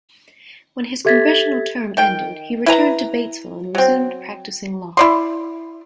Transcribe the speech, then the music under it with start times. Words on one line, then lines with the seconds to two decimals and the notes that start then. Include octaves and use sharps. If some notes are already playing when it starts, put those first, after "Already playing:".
When his congressional term ended, he returned to Batesville and resumed practicing law.
1.05 G4 A4 E5 G#6 A6 B6
1.97 D#3 G5
2.66 E4 B4 A#5
3.75 F#3 C4
4.97 E4 D5 C6